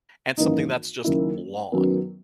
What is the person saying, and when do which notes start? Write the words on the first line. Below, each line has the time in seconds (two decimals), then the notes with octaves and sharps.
and something that's just long.
0.38 G#1 F#2 E3 A#3 D#4
1.04 F#1 F#2 D#3 A#3 E4
1.72 F#2 D#3 F#3 B3